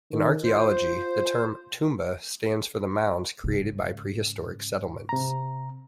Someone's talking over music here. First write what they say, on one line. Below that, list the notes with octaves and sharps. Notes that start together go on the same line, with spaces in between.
In archaeology the term Toumba stands for the mounds created by prehistoric settlements.
D#3
F4 C5
G#2 C#3
C3 A#5